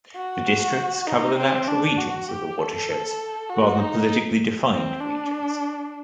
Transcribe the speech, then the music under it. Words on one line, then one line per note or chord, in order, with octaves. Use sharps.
The districts cover the natural regions of the watersheds, rather than politically-defined regions.
F#4
D#4
C4
D4
F#4
G4
A4
F#4
D#4
C4
D4